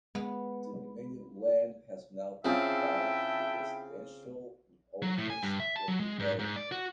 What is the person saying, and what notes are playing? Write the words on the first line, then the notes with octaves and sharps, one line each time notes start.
The remaining land has now been divided up for residential and office re-development.
G#3 B3
C#3 C4 E4 F4 G#4 E5 G5 A5
F#3
A2
G#5
G2
E5
A5
F#3
G#3
G#2
G#2
D5
F#4